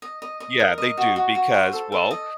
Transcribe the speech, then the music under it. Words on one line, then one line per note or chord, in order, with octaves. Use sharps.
Yeah, they do, because, well,
D#5
D#5
D#5
A#4
D#5
F#4
F#4
F#4
C5
A4
A4
D#5